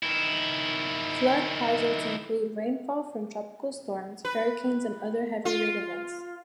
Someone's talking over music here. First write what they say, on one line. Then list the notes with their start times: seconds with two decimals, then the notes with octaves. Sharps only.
Flood hazards include rainfall from tropical storms, hurricanes, and other heavy rain events.
0.03 D#3 E4
4.25 B4
5.45 F4